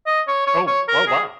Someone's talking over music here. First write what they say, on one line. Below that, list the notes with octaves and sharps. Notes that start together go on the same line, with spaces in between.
Oh, oh, wow.
D#5
C#5
C#5
C#5
A#4
G#4